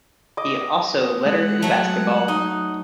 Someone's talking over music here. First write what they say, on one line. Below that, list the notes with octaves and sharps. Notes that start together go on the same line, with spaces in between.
He also lettered in Basketball.
D#5 D6
G#3 F#5
F#3 A3
D#4 D#6